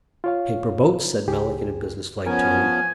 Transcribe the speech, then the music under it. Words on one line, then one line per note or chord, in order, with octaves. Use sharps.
"Paper boats," said Melick, in a business-like tone.
F4 C#5 F5
C#2 G4 G#4
F3 B3 C#4 A#4 G#5